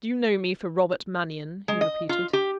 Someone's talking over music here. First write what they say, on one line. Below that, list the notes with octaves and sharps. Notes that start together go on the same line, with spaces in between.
"Do you know me for Robert Mannion?" he repeated.
G#3
D#5
F4
G4